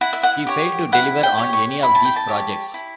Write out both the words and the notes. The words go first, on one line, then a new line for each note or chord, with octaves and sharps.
He failed to deliver on any of these projects.
E4 F#5
E5
F#5
G4 C#5
E4 F#5
G5
G4 C#5
C#6
E4 B5
A5
G5
A5
G4 C#5
E4